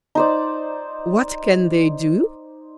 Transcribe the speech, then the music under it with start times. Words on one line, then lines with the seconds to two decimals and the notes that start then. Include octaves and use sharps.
What can they do?
0.15 D#4 C5 D5